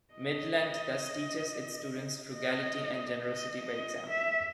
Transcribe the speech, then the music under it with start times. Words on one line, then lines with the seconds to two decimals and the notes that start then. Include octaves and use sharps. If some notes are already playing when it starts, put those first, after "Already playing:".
Midland thus teaches its students frugality and generosity by example.
0.14 D#5
2.34 D#5
3.22 D#5
3.65 D#5
4.10 E5